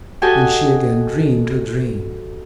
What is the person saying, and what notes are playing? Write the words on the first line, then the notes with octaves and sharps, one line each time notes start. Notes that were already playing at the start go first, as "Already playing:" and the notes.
Then she again dreamed her dream.
F#4 G4 A4 D#5 G#5